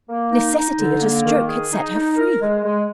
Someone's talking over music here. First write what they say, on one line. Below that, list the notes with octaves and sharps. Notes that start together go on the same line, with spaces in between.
Necessity at a stroke had set her free.
A#3
D#4
D#4
D3
A#3
D#3
G#4
D#4
D#4
A#4
G#3
G#3